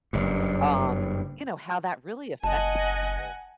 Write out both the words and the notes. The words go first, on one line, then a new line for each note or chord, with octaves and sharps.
um, you know, how that really affects people,
F#1 G2
F#1 D#5 F#5 G#5 A5